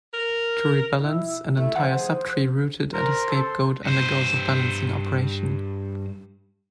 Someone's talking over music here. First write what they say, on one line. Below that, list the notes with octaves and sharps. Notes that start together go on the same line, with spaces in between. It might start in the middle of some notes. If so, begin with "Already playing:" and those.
To rebalance, an entire subtree rooted at a scapegoat undergoes a balancing operation.
A#4
B2 E4
A3 E4
F3 C5 F#5
G#4
A#4 C5
A4
G2 C5